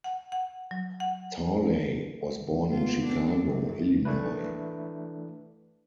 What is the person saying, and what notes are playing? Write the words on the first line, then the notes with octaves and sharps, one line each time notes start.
Talley was born in Chicago, Illinois.
F#5
F#5
F#3
F#5
B3 F4
C4 D4
F#2
E3 A3 D4 E4 B4